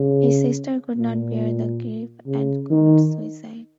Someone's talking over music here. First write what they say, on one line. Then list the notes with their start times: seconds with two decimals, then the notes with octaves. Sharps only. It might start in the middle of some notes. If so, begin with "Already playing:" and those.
His sister could not bear the grief and commits suicide.
Already playing: C#3
0.96 A#2
2.27 C#3
2.71 D#3